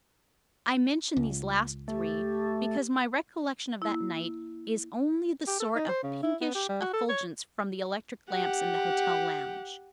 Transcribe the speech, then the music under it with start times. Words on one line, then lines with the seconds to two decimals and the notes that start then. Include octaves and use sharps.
I mention these last three because my recollection of that night is only the sort of pinkish effulgence from the electric-lamps in the hotel lounge.
1.16 C#2
1.88 A3 G4
3.82 A#3 E4
5.47 G4
5.60 A4
5.75 D#4
5.88 C5
6.03 C#3
6.23 E4
6.41 B3
6.55 G4
6.69 G3
6.82 F#4
6.93 A4
7.09 C#5
8.30 G4 F#5